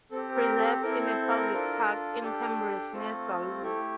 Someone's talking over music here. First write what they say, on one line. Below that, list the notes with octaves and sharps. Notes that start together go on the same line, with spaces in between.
Preserved in a public park in Cambrils near Salou.
C4 G4 A4
A#4
A4
C4 E4 A4 A#4
C5
A#4
D4 F4 A4
D4 G4 A4
A3 C4 F4 A4
A3 E4 G4 A4